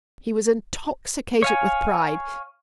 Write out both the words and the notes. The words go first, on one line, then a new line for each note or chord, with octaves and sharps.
He was intoxicated with pride.
C#5 F5 G#5